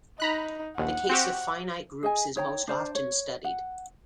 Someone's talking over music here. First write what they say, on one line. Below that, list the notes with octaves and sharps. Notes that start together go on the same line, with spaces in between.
The case of finite groups is most often studied.
D#4 A#5 B5 F#6
A#1 D#2 F#5
C4 F#4 G4
G#4 D#5 G#5
D#4 C#5 G5 A#5
D4 C5 D5
C#5
F#5